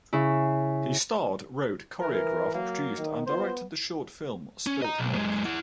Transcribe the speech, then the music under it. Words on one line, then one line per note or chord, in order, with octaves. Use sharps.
He starred, wrote, choreographed, produced and directed the short film "Spilt Milk".
C#3 E4
E3 A#4
F#3 A#3
D#3
B3 F4 C5
C#4
D#5 A#5
B1
F#2 G#3
E4 F#5